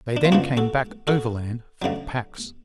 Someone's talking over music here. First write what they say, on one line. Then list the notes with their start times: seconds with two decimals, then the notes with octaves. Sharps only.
They then came back overland for the packs.
0.17 D4
0.25 F4
0.32 C#2 C#3 F3 D4 F#4
0.57 F#4 A4
1.07 F#4 A4
1.82 D2 C#3 F#3